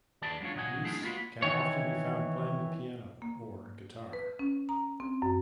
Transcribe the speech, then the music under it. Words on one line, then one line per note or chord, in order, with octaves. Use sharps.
Wees can often be found playing the piano or guitar.
D#2 D#3 G#4 B4 D5 A5
F#3 G#3 D4 F4 C#5
C#2 A#2 F#3 D#5 F#5 G#5
A3 C4 D4 E4 G#4 A#4
G#3 A#3 F4 F#4 B4
D#3 E3 C#5
A#3
B4
C#4
A#5
C4
F#2